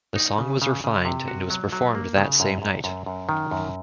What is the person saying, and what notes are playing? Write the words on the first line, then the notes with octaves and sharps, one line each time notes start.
The song was refined and was performed that same night.
D#4
C#3
C#3
C#3
C3
F#4
F#3
F#3
A#3
C#3
F#2
F#2
F#2
F#2
D#3
F#2